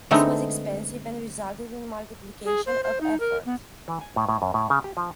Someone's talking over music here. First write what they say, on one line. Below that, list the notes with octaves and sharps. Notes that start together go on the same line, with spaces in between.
This was expensive and resulted in multiplication of effort.
D3 G#3 A3 B3 C4 D#4
G#4
C5
C5
D#4
A#4
B3
E3
G#5
A2
A2
F#2
A2
C#3
G4
F3